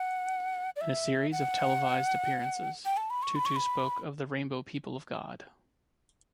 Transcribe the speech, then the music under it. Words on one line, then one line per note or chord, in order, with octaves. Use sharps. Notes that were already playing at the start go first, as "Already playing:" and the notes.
In a series of televised appearances, Tutu spoke of the "Rainbow People of God".
Already playing: F#5
D5
E5
F#5
G5
A5
B5
C#6
B5
C#6
B5